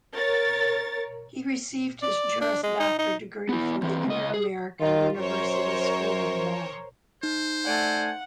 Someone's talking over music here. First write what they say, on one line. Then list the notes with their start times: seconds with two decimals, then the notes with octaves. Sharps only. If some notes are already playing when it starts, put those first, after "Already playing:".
He received his Juris Doctor degree from the Interamerican University School of Law.
0.14 A#4 C#5 A6
2.03 D5
2.41 D4
2.63 G#3
2.80 D#4
2.99 D#4
3.49 B3 E4
3.83 E3 C4
4.06 C#2 D#5
4.34 G#4
4.81 D#3 F4
5.17 F#2 A#4 C5 C#5
7.23 D#4 C5
7.65 A3 D5 F#5 G#5